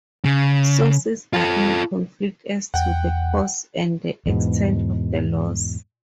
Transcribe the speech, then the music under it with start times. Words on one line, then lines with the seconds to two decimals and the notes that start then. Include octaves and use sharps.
Sources are in conflict as to the cause and the extent of the loss.
0.25 C#3
1.33 F4 A4
2.74 E2 F#5 G5
4.26 E2 G#2 B2